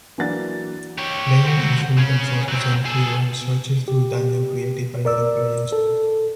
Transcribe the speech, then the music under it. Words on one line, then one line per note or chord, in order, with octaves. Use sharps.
Player usually controls his own hero and searches through dungeon created by other players.
E3 F#3 A#3 D4 F#5 A6
G4 C#5
C4 F#4
C#3 C#4
F#3 C4
G#4 A4
G4
A#4 D5 E6
A4